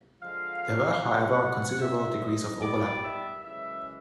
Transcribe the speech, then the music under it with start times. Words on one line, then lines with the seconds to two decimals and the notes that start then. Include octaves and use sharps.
There were however considerable degrees of overlap.
0.21 D3 F3 G#3 F5
1.02 G2 D3 G3 B3 D4 F#5
1.81 A#2 G3 C4 E5
2.22 D#5
2.62 D#3 G3 B3 D5
3.01 E5
3.41 F#2 C#3 E3 G#3 E5